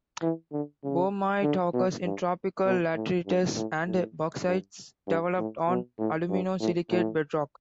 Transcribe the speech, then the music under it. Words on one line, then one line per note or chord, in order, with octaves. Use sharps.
Boehmite occurs in tropical laterites and bauxites developed on alumino-silicate bedrock.
E3
D3
C#3
D3
B2
G2
B2
A2
G2
A2
A2
G2
G2
A2
B2
A2
G2
A2
A2